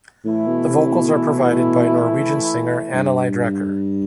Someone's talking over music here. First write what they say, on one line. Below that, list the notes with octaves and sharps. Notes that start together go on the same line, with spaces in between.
The vocals are provided by Norwegian singer Anneli Drecker.
A2 E3 A3 E4
B2
C3
B2
B2
G2